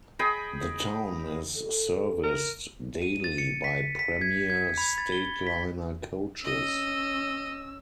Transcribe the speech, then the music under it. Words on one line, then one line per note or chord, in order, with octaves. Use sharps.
The town is serviced daily by Premier Stateliner coaches.
G#4 D#5 G5 B5
A4
A#4
D#7
A6
C#7
B6
B6
G#6
G#6
B5
A6
G7
B6
C#4 D#5 E6